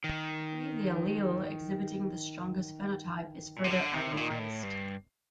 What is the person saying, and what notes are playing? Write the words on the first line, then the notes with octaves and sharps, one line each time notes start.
Typically, the allele exhibiting the strongest phenotype is further analyzed.
D#3
A#2
C3
D3
C3
A2
A#2
A#2
A2
G2